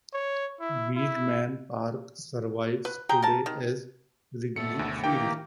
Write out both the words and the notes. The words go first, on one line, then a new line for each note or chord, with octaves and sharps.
Weeghman Park survives today as Wrigley Field.
C#5
E4
E4
B4
G4 G#4 G5 A#5
A#4 A5
D#3
B2 A3 A4 C#7
D2
D#3 E3 A#3 G4 G5 A#5